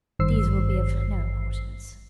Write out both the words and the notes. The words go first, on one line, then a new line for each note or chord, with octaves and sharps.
These will be of no importance.
G#1 G2 D#3 C5 E6 C7